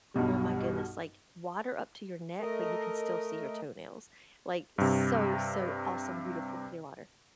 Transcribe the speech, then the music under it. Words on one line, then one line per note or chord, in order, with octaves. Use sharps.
oh my goodness, like water up to your neck, but you can still see your toenails, like, so, so awesome, beautiful clear water,
B1 G2 B2 G3
A3 A#4 D#5
G2 C3